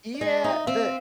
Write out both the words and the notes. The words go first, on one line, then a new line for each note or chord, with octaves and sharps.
Yeah, the
D5
G#3 D#5
D#4 E5
C4 F5